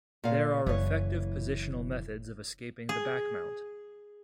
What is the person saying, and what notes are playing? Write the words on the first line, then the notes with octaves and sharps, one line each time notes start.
There are effective positional methods of escaping the back mount.
A#2 F5
F#1 E3 C#5
G#4